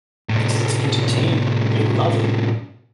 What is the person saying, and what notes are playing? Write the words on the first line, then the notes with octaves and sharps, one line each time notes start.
It's it's entertaining that they love it.
A2 C3